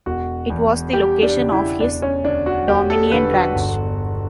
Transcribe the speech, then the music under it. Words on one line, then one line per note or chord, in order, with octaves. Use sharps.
It was the location of his Dominion Ranch.
E1 F#4
E2
G3 G4
D4
C#3
E4
E1 D4
C#4
D2 D4
F#4
E1 G4
A4
D3 B4
F#4
G1